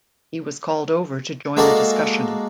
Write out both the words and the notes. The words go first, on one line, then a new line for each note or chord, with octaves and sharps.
He was called over to join the discussion.
G#3 A#3 F#4 A4 D5